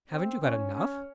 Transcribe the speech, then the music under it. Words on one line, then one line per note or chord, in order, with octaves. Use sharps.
"Haven't you got enough?"
C4
C#4
C#4